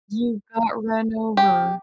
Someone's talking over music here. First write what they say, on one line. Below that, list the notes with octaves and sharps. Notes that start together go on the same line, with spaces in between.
You got run over.
G4